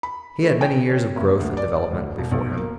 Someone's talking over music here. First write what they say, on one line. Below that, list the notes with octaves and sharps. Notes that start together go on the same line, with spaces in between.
He had many years of growth and development before him.
B5
A3
G5
C#5
F#1
D2
D5
D2
E1
B1
A#3